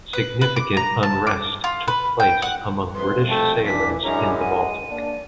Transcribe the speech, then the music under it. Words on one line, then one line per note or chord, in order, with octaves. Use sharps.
Significant unrest took place among British sailors in the Baltic.
B4
B4
D6
A#5
A5
D6
F4
B4
G5
F#5
C2 F2 B4 C6
A3 G5 A5
E3 D4 B6
F#2 G#3 C#4 D4 E4 A#5
F#5 D#7
A#3 D4 D5